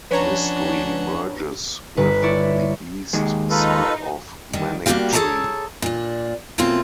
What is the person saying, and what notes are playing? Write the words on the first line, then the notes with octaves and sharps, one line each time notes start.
Mistley merges with the east side of Manningtree.
F3 C#4 D4 B4 C#5 F#5 A#5
G1 B4
E4 C#5 D5
D#2 D#3 G#3
D#4 F4 A4 B4
D2 D#3 G3
G3 A#3 D4 F#4 G4 F5
G#4 A4 B4 C#5 A5 A#5
A#2 D4
B2 A3 A#3 C4 C#4 F4